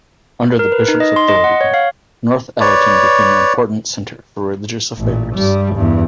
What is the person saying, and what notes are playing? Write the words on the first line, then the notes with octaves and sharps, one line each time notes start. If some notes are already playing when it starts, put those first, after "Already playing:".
Under the Bishop's authority Northallerton became an important centre for religious affairs.
A#4
B4
D#4
D#5
C6
D#5
F#5
C#5
F5
B4 C#5 D5
A1 A#2
G2 G3
E2 G2